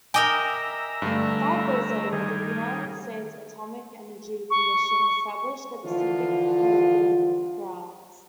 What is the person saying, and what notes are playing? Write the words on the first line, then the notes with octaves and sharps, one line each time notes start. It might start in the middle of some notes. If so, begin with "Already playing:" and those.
Five days later, the United States Atomic Energy Commission established the Pacific Proving Grounds.
A#4 D#5 E5 G5 G#5 A#5 D6 G7
G2 D3 A3
D#3 G3 G#4
C#6
D3 E3 F3 F4